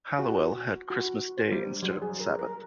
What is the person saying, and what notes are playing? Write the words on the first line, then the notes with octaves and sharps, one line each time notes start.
Halliwell had 'Christmas Day' instead of the Sabbath.
F#4
F#4
C5
G3
F#3
G#4
A#4
A#4